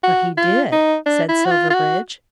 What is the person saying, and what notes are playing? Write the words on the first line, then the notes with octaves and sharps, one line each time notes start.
"But he did," said Silverbridge.
F#4
F4
D#4
D4
E4
F#4
F4
F4
F#4